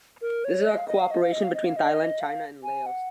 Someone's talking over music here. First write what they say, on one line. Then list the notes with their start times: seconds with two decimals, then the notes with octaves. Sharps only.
This is a cooperation between Thailand, China and Laos.
0.22 A#4
0.45 C#5
0.66 D#5
0.78 F5
0.88 D#5
0.99 F5
1.11 D#5
1.22 F5
1.32 D#5
1.44 F5
1.54 D#5
1.65 F5
1.77 D#5
2.21 F5
2.64 G#5
2.86 F#5